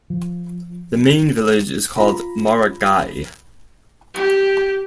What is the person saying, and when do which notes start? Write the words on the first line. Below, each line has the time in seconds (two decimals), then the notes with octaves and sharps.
The main village is called Maragai.
0.10 F3
1.96 F4 A#5 B5
4.14 G4